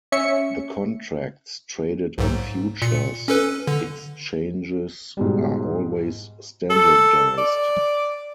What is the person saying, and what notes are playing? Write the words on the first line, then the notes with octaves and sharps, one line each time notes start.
The contracts traded on futures exchanges are always standardized.
C#4 E5 C#7
B1 G#2
A#2 C#7
C#4 A4 B4
D3
G#2 B2 G3
A4
D5